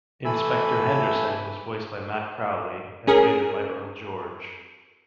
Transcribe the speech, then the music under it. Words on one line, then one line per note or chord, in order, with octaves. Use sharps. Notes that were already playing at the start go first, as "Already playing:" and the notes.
Inspector Henderson was voiced by Matt Crowley and later by Earl George.
E3 A3 A4 G#5 B5 E6
C#4 G#4 A#4